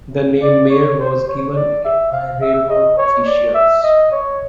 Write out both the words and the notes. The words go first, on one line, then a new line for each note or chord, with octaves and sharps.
The name Mayer was given it by railroad officials.
D5
C#5
C5
C#5
D5
E5
F5
E5
D#5
C#5
D5
E5
D#5
C#5